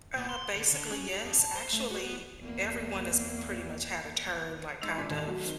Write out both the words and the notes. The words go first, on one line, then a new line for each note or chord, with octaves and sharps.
Uh, basically, yes. Actually, everyone has pretty much had a turn, like, kind of,
A#2
C6
D3
D3
C#4
G4
F2
A5
C5
A3
F#4
B3
E2 A#3
G#3 D#4 E6 F7
A#2 G#3 D4 G#5 C6 B6
D#2 D#3
F#3 A3
D#3 C4 G7